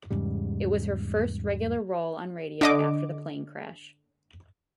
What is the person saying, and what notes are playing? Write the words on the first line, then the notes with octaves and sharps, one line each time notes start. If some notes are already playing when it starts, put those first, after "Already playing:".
It was her first regular role on radio after the plane crash.
E2 G#2 C#3 G3
D3 D#5 D6